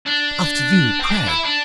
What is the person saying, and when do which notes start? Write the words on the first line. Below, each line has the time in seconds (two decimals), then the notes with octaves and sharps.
"After you, pray!"
0.07 D4
1.00 C4
1.10 D4
1.27 E4
1.45 D4